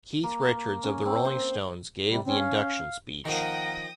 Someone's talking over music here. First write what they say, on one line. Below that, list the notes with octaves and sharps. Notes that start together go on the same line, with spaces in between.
Keith Richards of the Rolling Stones gave the induction speech.
A#3
C#4
C4
C5
C3 G3
C4 C#4
F5
D#3 F3 A#3 F#5 G5 D#6 A#6